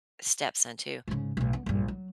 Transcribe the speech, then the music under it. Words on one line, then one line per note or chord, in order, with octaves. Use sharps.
stepson too,
G#2 C#3
B1 A2
B3
A#1 G2
F#3